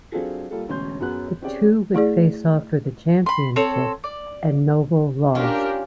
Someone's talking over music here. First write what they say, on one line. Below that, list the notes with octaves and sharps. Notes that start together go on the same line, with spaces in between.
The two would face off for the Championship and Noble lost.
F#3 C4 D4 F4 G#4 A4
G3 A#3 F4 A4
E1 D2 C#4 C6 G6
F#2 B3 C#4 F#4 G#4 F#6
C4 C#4 G4 G#4 D5 G5
A3 E4 G#4 D5
B5 C6
C4 A4 C#5
D5
C#4 D4 F4 G4 A#4